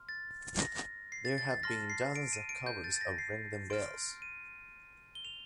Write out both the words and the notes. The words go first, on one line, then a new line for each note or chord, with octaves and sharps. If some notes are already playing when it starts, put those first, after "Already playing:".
There have been dozens of covers of "Ring Them Bells".
Already playing: C6 F6
A6
A#6
C7
A6
A6
A6
A5 C6 F6 A#6
C7
D7
D#7
D7
G6
A6
A6
A#6
C7
C6 F6 D7
D#7
G7
F7